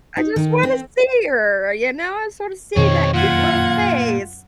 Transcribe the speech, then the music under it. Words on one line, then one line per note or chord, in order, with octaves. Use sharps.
I just wanna see her, you know, I just wanna see that cute little face.
D#4
D#3
C4
F2 B2 D#3 G#3 C4 C#5
F#2 A#2 F4 F#5 G#6